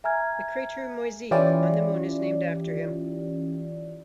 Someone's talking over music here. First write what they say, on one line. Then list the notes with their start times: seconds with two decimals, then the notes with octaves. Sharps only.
The crater Moiseev on the Moon is named after him.
0.04 E5 G#5 A#5 F6 G#6
1.31 E3 C#4 E4 F4 G4 D5